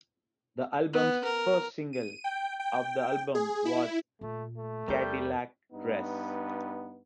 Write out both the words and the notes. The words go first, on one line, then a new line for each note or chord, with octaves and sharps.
The album's first single of the album was "Cadillac Dress".
B3
A#4
D#7
G5
G5
G#4
E4
A#2 A3
A3
E2 G3 D#4 A#4 G6
G2 B3 D#4